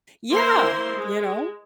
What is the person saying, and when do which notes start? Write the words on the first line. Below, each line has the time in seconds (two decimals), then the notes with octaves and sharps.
Yeah, you know?
0.31 A#3 E4 A#4 C5 C6
0.92 G#3